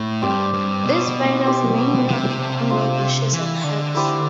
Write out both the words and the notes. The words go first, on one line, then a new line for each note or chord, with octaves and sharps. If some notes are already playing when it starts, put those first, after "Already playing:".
These spiders mainly occur on low bushes and herbs.
Already playing: A2
G2 C4 G4 D5
G2
B2
C4 G4 C5
C3
D4 F4 C5 F5
E3
D3
A3 E4 G4 C5